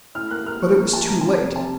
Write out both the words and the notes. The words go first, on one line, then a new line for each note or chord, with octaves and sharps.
But it was too late.
A2 F6
A#3 F#6
A#3 F6
F3 C#6
A#3
F3 A5
C3 A#5
C3 A5
F1
C3 A5